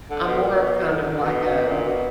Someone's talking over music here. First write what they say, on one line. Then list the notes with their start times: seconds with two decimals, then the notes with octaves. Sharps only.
I'm more of kind of like, um,
0.10 D3
0.26 B2
0.42 A#2
0.58 B2
0.90 D3
1.23 B2
1.45 B2
1.66 A#2
1.87 B2